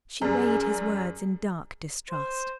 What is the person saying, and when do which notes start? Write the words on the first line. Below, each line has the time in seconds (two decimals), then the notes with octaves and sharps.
She weighed his words in dark distrust.
0.22 F#2 G3 G#4
2.11 C5